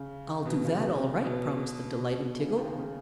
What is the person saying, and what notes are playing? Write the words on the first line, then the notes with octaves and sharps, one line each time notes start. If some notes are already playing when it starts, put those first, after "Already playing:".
"I'll do that, all right," promised the delighted Tiggle.
Already playing: C#3
B2
C#3
B2
C#3
B2
B2
B2
C#3
D#2 D#3
C#3